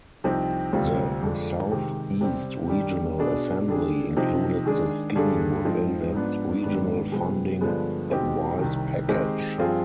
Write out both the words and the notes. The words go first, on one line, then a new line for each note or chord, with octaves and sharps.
The South East Regional Assembly included the scheme within its Regional Funding Advice package.
C2 C3 F3 C4 D#4
D2 C3 G3 C4 F4
F2 D3 G#3 D4
C3 D#3 G#3 C4 G4
C3 G3 C4 G4
D#3 G3 D4 G4
B2 B3 D4 G#4
D3 G3 D4 G#4
C3 F3 C4 D#4
D#3 G#3 D4 G#4
G2 D3 G3 D4 G#4
G#2 F3 C4 D#4
G#2 F3 B3 D4
G#2 D#3 G3 B3 D4
C3 F3 G#3 B3
G2 D3 F3 G#3 B3
B2 G#3 C4 D#4 G4
C2 C3 D#3
D#3 G#3 C4 D#4 G4
G2 F3 C4 F4 G#4